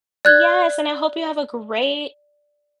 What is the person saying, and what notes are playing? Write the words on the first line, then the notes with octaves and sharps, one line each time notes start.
Yes, and I hope you have a great
D5 F#6 G#6